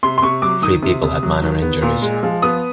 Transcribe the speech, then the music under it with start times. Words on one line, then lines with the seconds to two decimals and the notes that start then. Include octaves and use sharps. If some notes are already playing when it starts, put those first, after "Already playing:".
Three people had minor injuries.
0.03 C3 C6
0.18 C6
0.22 C3 C#6
0.42 F#3 D6
0.62 D#3 D#6
0.83 C3
1.03 C3
1.23 F#3
1.42 D#3
1.62 B3
1.82 A#2
2.02 G#3
2.23 F3
2.42 B3 D#6